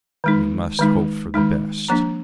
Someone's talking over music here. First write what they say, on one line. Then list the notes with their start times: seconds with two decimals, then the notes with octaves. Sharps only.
"We must hope for the best."
0.24 D#3 G#3 D#4
0.79 D#3 G#3 D#4
1.34 D#3 G#3 D#4
1.88 F3 A#3 D4 A#5